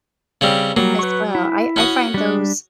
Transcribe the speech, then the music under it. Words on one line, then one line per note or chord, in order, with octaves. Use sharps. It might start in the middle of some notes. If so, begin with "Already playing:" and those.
As well, I I find those
C#3 G3 C4
F#3 G3 A#3
B4 C#6
E4
C#4 F#4 D#6
G3 D4